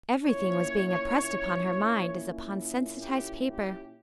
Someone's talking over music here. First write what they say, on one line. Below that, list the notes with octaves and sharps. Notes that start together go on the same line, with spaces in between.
Everything was being impressed upon her mind as upon sensitized paper.
A#2 A#3 C#4 E4 C#5
G4
G4